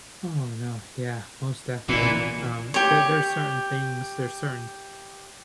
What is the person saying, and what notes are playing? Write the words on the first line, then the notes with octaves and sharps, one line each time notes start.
Oh, no. Yeah, most definitely. Um, there there's certain things there's certain
A#2 E3
G4 C#5